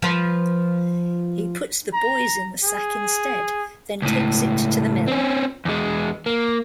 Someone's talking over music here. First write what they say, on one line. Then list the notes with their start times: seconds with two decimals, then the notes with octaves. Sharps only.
He puts the boys in the sack instead, then takes it to the mill.
0.02 F3 B4
1.94 A#5
2.64 G#4
4.02 C#2 A2
5.08 C4 C#4
5.65 E2 G#3
6.26 A#3